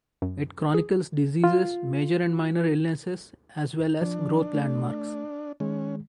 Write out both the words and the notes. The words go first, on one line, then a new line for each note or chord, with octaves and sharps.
It chronicles diseases, major and minor illnesses, as well as growth landmarks.
F#2
G#4
F4
F3 D4
A3
D#3 G#3 C#4